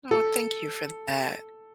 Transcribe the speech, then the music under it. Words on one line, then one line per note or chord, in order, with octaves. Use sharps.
Oh, thank you for that,
A4